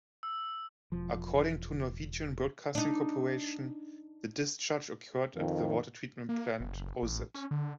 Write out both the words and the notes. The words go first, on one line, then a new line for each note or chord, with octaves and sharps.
According to Norwegian Broadcasting Corporation, the discharge occurred at the water treatment plant Oset.
E6
E1 F3
D4 D#4
F2 D#3
A#3
F#1
A1
C#4
D3